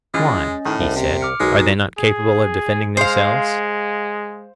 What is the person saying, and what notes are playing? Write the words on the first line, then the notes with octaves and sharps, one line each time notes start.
Why? he said; are they not capable of defending themselves?
E3 G#3 C#4 F4 D#5 A6
A2 D#3
C2
C3
D6 F6 C#7
B1 G#3 D#4 F#4 A#4
G#4
G#3 C5 F5